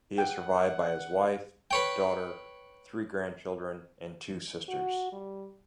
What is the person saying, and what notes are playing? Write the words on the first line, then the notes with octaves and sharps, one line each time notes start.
He is survived by his wife, daughter, three grandchildren and two sisters.
F#5 G5
B4 C#5 G5
F#4
G3